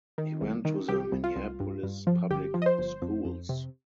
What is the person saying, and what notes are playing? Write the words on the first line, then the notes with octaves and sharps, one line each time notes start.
He went to the Minneapolis public schools.
D#3
C2
D#3
C2 G4
C2
F4
C2
G2
G2
F3
G1 G4
F3
D#5
C5
G1
F2
F2
C3